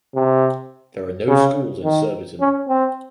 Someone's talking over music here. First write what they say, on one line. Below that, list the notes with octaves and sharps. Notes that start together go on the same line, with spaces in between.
There are no schools in Surbiton.
C3
C#3
D#3
C#4
C4